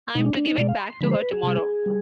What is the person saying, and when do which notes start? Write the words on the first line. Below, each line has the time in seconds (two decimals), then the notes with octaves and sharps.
I’m to give it back to her tomorrow.
0.15 B2 G#3 D#4
0.26 D4
0.37 D4
0.47 D#4
0.58 B2 G#3 D5
0.69 F5
0.80 C6
0.90 C6
1.01 D3 F3 G#3 B5
1.11 C5
1.22 B4
1.33 G#4
1.43 C3 G3
1.86 G3